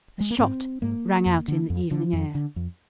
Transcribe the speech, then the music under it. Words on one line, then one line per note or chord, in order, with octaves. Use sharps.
A shot rang out in the evening air.
G#3
A#3
G#2 C4
G#2 A#3
F2
D3
F2
D3 F3
F2
D3
F2